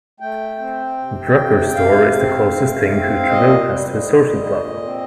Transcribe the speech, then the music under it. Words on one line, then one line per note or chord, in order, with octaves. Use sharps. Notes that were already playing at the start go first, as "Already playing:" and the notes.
Drucker's Store is the closest thing Hooterville has to a social club.
A3 G5
C4
C3
C3
C3 F5
C4
A3
C4
A#2 D#5
G3
A#2
A#2
C4